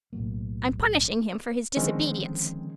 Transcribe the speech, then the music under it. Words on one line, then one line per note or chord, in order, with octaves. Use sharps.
I'm punishing him for his disobedience.
B1 A2 F#3 A#3
D3 D#3 F3 G#3 C4 C#4